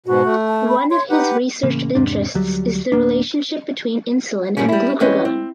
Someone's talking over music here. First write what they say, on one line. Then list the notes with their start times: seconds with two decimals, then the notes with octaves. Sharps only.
One of his research interests is the relationship between insulin and glucagon.
0.06 G#2 B2 F#4
0.24 A3
0.48 A5
0.68 B5
0.91 C#5 C6
1.10 D#4 G4 B4 F#5
1.63 A1 C#3 A#3
1.95 E2 G#2 C3 D4
2.35 D2 F#3 G3
2.92 D1 A#3 D4
4.57 G2 A#2 D#3 G3 C#4
4.69 G3 E4
5.00 E2 C4 C#4 B4 D#5
5.25 C4